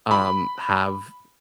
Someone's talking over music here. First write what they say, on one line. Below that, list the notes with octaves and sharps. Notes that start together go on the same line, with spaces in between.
um, have
B5